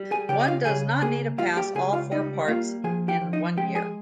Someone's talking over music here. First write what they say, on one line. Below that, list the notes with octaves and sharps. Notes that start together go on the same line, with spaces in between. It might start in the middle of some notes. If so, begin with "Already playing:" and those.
One does not need to pass all four parts in one year.
Already playing: G3
G#4 G#5
C#3 G4 G5
D#5
F4 F5
C#3 G#4 G#5
A#3 G#4 G#5
G3 F4 F5
G4 G5
C#2 G#4 G#5
F4 F5
G3 D#4 D#5
A#3 F4 F5
F3 G#4 G#5
G4 G5
F3
D#4 D#5
G#3 G4 G5
G#4 G#5